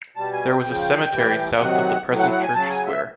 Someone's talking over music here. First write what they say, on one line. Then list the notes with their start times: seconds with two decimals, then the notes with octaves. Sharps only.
There was a cemetery south of the present church square.
0.16 B2 G3 A5
0.33 G#5
0.48 G5
0.64 C#3 F3
1.12 A2 E3 G3
1.59 C3 D#3 F#3 F#5
2.07 A2 F#3
2.19 F#5
2.31 F#5
2.43 G#5
2.54 C#3 F#3 A5
2.70 G#5
2.87 E5